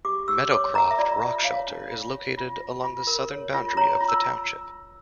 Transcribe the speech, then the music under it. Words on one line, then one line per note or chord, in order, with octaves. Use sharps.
Meadowcroft Rockshelter is located along the southern boundary of the township.
G4 D6
G4 E6
C#5 D6
A#4 A#5
E5
F4 D5
F4
C#5 F5
D4 A5
F4
C#5
F4
F4
F4
A#4
C#5
F4
C#5 A#5
F4
E6